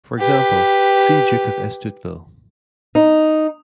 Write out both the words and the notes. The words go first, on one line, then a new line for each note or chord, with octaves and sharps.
For example, see Duke of Estouteville.
G4 B4
D#4